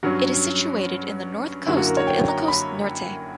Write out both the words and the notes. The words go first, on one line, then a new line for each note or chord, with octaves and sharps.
It is situated in the north coast of Ilocos Norte.
G2 F#3 C#4 F#4
F#2 D3 F#3 A#3 E4
F#4
A#4
C#5
G5
A#5
B5